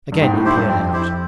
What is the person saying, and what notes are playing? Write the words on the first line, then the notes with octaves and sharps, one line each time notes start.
Again he peered out.
G2
G#2 C4
A2
G#2 E4 G4 C5
G2
F2 C4
E4 G4 C5